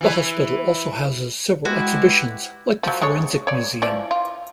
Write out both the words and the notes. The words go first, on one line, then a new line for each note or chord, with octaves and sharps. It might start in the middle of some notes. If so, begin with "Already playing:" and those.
The hospital also houses several exhibitions, like the forensic museum.
E3 E4 B4
G#3 E4 F#4 G4 B4 F#5
F3 F#3
G#3 D4 C#5
C#5 D5
E3 F3 D5
F4